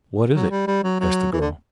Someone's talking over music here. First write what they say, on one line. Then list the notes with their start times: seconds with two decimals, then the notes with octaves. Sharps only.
"What is it?" asked the girl.
0.34 F#3
0.50 G3
0.67 G3
0.84 F#3
1.00 F#3
1.33 E3
1.40 D3